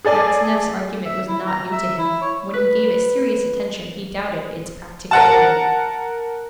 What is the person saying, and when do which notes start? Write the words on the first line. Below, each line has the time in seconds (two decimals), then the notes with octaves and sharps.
Maxineff's argument was not new to him; when he gave it serious attention he doubted its practicability.
0.05 G#4 A4 D5 G#5
1.05 E5
1.28 E4
1.47 A#5
1.72 E5
1.98 E4
2.21 C#5
2.54 B4
5.11 A#4 F#5 A5